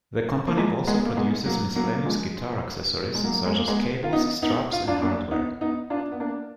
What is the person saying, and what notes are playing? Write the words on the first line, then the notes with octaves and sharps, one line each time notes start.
The company also produces miscellaneous guitar accessories, such as cables, straps and hardware.
A#3
F3 G#3
G#3 B3
A#3
G#3 B3
F#3 A#3
F#3 A#3
A#3
F3 G#3
G#3
F#3 A#3
G#3
A#3
G#3 B3
F4
B3 D#4
B3 D#4
F4
D4 F4
A#3 D4
B3 D#4
B3 D#4
D4 F4
B3
A#3 D4